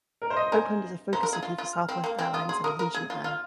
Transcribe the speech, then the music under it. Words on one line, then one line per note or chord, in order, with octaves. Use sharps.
Oakland is a focus city for Southwest Airlines and Allegiant Air.
A#4
C5
D#5
A#4 G#5
C5 A#5
A#4
G#4
F4
F4
F6
C4
A#3
C4
F4 D#6
G#4 C6
A#4 D#6
A#4
G#4
F4
F4 F6